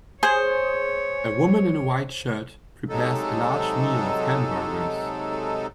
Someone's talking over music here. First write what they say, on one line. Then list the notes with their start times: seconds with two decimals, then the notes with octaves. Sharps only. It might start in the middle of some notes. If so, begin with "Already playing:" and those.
A woman in a white shirt prepares a large meal of hamburgers.
0.23 G#4 C5 C#5
2.89 C3 F#3 G#3 D#4 A4